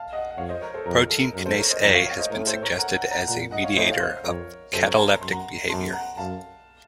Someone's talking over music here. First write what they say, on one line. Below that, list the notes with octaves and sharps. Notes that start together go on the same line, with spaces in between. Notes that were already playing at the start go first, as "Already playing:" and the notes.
Protein kinase A has been suggested as a mediator of cataleptic behavior.
Already playing: F5 A5
D#5 F#5
F#5
F2 C#5 F5
C5 D#5
A#4 C#5
A4 C5
F2 A#4
A#4
A4
A#4
F#2 A#4
A4 C5
A#4 C#5
C5 D#5
F2 A#4 C#5
C#5 F5
C#5 F5
C5 D#5
A2 A#4
A4 C5
A#4 C#5
F#5 A#5
F#5 A#5
F#5 A#5
A#2 F#5 A#5
D#5 F#5
C#5 F5
A2 C5 D#5
F5
C5 D#5
F2 A#4 C#5
F#2 A4 C5
A#4 C#5
A5 C6
A#5
F#2 C6
F#5 A#5
F#2 A5 C6
F#5 A#5
F#2 F5 A5